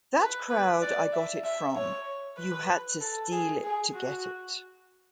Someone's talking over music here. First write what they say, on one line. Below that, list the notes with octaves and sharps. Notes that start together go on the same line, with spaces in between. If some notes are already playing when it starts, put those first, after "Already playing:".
That crowd I got it from, you had to steal it to get it...
B4
B4
D5
E5
E5
C#5
B4
A4
G#4
G#4
F#4